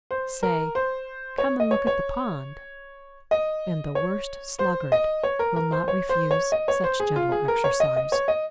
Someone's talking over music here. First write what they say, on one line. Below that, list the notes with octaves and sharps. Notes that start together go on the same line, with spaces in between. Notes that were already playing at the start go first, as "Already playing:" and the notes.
Say, "Come and look at the pond," and the worst sluggard will not refuse such gentle exercise.
C5
A#4
C5
C#5
D#5
C#5
C#5
D#5
C#5
C5
D#5
C#5
A#4
A#4
C5
C#5
C5
C#5
D#5
C#5
C5
G#4
F4
G#4
A#4
C#5
D#5
D#5
C#5
D#5